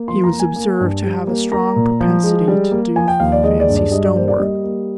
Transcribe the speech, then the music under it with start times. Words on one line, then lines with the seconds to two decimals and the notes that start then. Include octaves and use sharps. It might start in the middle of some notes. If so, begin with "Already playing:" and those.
He was observed to have a strong propensity to do fancy stone-work.
Already playing: A#3
0.08 F3 C6
0.24 A#5
0.32 A#3
0.40 G#5
0.56 A#3
0.80 G2
1.04 G3
1.27 A#3
1.51 A#3 A#5
1.76 A#2
2.00 F3
2.24 G#3
2.48 G3
2.71 A#3
2.96 F3 G#5
3.08 G5
3.20 D#2 F5
3.32 D5
3.43 G#3 D#5
3.60 D5
3.68 G2
3.76 D5
3.92 G3 D#5
4.04 D5
4.16 A#3 C5
4.28 D5
4.40 G3 D#5
4.64 A#3